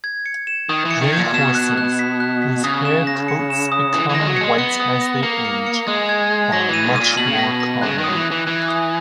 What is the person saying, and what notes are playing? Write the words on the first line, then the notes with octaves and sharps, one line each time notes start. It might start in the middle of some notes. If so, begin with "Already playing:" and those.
Gray horses, whose hair coats become white as they age, are much more common.
G#6
C#7
E7
D#3 D#6
E3
C#7
D#3
G#6
A#2
B2 E7
F#6
F#6
B6
F#6
B6
C#3 D#6
E7
A#6
C#7
E7
D#6
E3 D#6
E3
G#3 A#6
F#3
G#3 C#7
B3 C#7
D#6
A#6
A#3 C#7
C#7
C#7
G#3 D#6
G#6
G#6
F#3 A#6
E3 D#7
G#2
A#2 D#7
B2 F#7
C#3
B2 A#6
A#6
C#3 F#6
D#3
F#3 D#6
E3
F#6
E3
E3 F#6
D#6